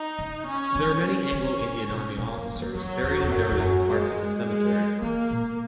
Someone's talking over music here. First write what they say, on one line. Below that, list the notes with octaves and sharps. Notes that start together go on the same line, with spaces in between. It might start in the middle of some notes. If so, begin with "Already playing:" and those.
There are many Anglo-Indian Army officers buried in various parts of the cemetery.
Already playing: D#4
C#3
C#4
E3
C#4
D#3
C#3
B2
A#2 A#3
F#2
E2
E2 F#3
E2
E2
F#2
E2
F#2
G#3
G#3
E3 A#3
A#2